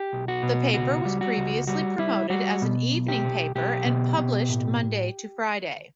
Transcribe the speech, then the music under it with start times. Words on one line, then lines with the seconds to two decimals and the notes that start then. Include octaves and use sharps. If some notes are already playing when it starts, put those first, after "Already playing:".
The paper was previously promoted as an evening paper and published Monday to Friday.
Already playing: G4
0.13 B1
0.28 F#4
0.43 B2
0.74 C#2 F#4
1.05 G3
1.21 F#4
1.37 C#2
1.67 G3 F#4
1.99 G3 E4
2.30 G3 F#4
2.62 B2
2.92 B1
3.08 G4
3.24 B1
3.55 B1 G4
3.85 B2
4.17 B2
4.49 A2